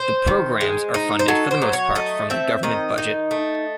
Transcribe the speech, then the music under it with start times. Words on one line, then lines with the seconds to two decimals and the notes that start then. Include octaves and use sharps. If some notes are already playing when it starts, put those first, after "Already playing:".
The programmes are funded for the most part from the government budget.
Already playing: C5
0.27 D#3
0.61 G#3
0.94 D#4
1.19 C5
1.28 F#3 A4
1.51 C5
1.62 F#3
1.73 C#5
1.95 A3 D#5
2.30 C4 E5
2.63 D#3 D#5
2.98 D#4
3.31 A3